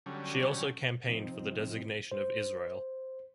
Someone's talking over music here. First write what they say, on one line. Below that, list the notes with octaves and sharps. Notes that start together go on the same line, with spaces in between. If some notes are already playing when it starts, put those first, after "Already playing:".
She also campaigned for the designation of Israel.
D3 F#3 G3 C#4
C3 F3 C4 D#4
C5